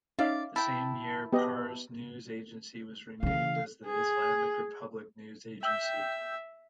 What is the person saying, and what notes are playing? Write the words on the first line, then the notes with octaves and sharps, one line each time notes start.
The same year Pars News Agency was renamed as the Islamic Republic News Agency.
C#4 D#4 D5 E5 F5
E4 G5 A5
B3 G4 D#5
C#3 E3 F5
G#4
E5 G5 E6 G6